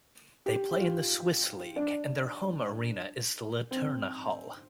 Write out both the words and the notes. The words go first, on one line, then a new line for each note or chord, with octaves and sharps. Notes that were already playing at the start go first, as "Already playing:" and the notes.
They play in the Swiss League and their home arena is the Litterna Hall.
G4
G4
F4
D4
C4